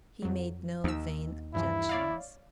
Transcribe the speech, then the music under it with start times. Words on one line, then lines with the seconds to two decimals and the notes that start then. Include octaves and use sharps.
He made no vain objections.
0.22 F2 F#3
0.84 D#2 D#4 E6
1.54 G2 E3 F3 E4
1.89 C#5 D5 F5